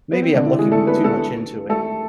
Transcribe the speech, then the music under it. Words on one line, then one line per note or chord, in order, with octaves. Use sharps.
Maybe I'm looking too much into it.
B3
C4
D3 D4
E3 E4
G#3 G#4
A3 A4
B3 B4
A3 A4
A3 A4